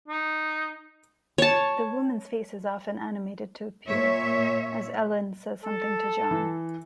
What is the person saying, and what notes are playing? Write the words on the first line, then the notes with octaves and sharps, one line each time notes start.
The woman's face is often animated to appear, as Ellen says something to John.
D#4
C#5 A5
A#2 C#5 E5
A4
E3